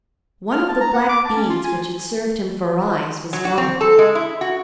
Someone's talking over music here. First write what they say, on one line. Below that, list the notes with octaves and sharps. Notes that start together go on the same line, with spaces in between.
One of the black beads which had served him for eyes was gone.
F6
A5
A#5
F#5
D6
A5
C#4
F4
G#5
F#3
F#4
C4
A4
G#3
E4
F#4